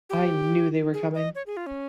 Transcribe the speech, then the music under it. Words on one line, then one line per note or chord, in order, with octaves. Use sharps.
I knew they were coming.
G4
G#4
D#5
C#5
G#4
F4
C#4